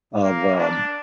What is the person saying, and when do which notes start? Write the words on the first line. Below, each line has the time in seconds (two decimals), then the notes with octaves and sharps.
of, um,
0.23 A#3
0.55 D4